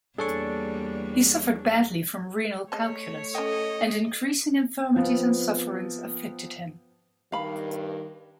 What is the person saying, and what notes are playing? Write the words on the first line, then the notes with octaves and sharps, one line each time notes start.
He suffered badly from renal calculus, and increasing infirmities and sufferings afflicted him.
E2 G3 A#3 D4 G#4 A4 C#5 C#6
A3 G#4 C#5 D#5 A5
C#4 A4 D#5 G5
F3 B3 C4
G2 D#3 F5 B5